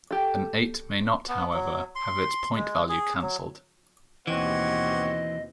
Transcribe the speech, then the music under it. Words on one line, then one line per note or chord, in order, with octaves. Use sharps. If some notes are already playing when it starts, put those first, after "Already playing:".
An eight may not, however, have its point value canceled.
G4 A4
B3
F#3
C6
G#3
G#4
F#3
D#2 B2 E3 C4 G4 C#5 D#5 F#5